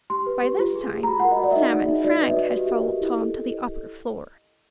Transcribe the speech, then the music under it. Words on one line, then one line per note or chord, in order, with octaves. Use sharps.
By this time Sam and Frank had followed Tom to the upper floor.
G4 C6
B4
G4
F4
G#4
F4
A#5
F#4 B5
A#4 F#5
D#5
F#4 D5
E5
D#4 D#5
G#4
D#4
F#4 D5
B4 D#5
E5
F#4 D#5
G4
A#4
G4
E4
A4